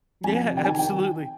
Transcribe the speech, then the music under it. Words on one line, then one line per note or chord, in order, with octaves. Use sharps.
Yeah, absolutely.
F2 G#5
C3
G5
D#3 G#5
G5